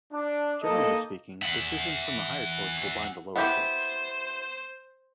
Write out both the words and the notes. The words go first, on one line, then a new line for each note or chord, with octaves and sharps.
Generally speaking decisions from the higher courts will bind the lower courts.
D4
A#3 D#4 A4 D#5
E5 F#5
B3 E4 G4 C5